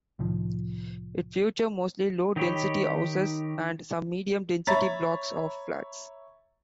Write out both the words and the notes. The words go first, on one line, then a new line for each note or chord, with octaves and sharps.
It features mostly low density houses and some medium density blocks of flats.
C2 A2 D#3 F3
D#3 D#4 G4 C#5 B5
C#5 E5 A#5 B5 A6